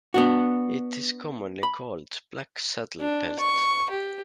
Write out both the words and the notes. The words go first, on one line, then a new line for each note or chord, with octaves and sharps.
It is commonly called black saddle pelt.
B3 D4 F#4
B5
D4
C#6
G4